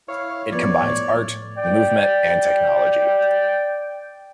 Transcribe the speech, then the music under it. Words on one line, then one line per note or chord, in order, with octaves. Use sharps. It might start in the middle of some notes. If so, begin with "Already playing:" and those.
It combines art, movement, and technology.
E4 C#5 F5
F3 B3 C#5 D5
A2
D5 G5